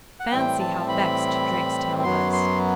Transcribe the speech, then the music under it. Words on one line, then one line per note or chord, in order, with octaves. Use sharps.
Fancy how vexed Drakestail was!
F#5
A2 E3 G3 C4 G5
A5
B5
F#2 F#3 B3 C6
C6